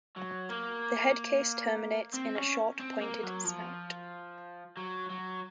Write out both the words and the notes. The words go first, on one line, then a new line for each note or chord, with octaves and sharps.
The head-case terminates in a short pointed snout.
F#3
A#3
C4
C#4
C4
A#3
F#3
F3
F#3
F#3